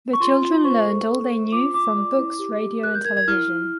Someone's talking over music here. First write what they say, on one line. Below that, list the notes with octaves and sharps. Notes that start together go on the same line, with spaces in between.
The children learned all they knew from books, radio, and television.
C#6
F4 C6
F4
C5 C#6
A4
A4
C5
F4 D6
F4 D6
D5
E4
G4
G4
A#4 F#6
G6
A#4 G#6
G#6
E4 F6
E4